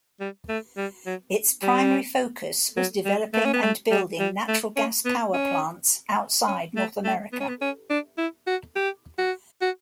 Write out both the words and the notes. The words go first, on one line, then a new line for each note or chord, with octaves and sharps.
Its primary focus was developing and building natural gas power plants outside North America.
G3
A3
G3
F#3
G3
F#3
G3
A3
C#4
B3
A3
G3
G3
A3
C#4
B3
C#4
C#4
A3
A3
B3
C#4
B3
C#4
D4
E4
F#4
G4
F#4
F#4